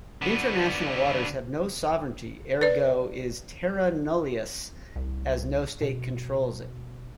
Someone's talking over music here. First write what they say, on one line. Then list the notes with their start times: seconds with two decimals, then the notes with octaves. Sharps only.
International waters have no sovereignty, ergo is "Terra nullius" as no state controls it.
0.22 D3 B3
2.61 B4 D5
4.96 C2
5.81 B2